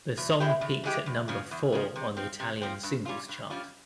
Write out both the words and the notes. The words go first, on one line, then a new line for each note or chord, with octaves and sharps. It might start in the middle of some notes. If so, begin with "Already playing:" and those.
The song peaked at number four on the Italian Singles Chart.
E2
E3 G#3 E4 G4
E2
E3 G#3 E4 G4
E2
C#3 F3
E2
C#3 F3
C3
F3 C4
C3
F3 C4
G2
G3 C#4 F4
G2
G3 C#4 F4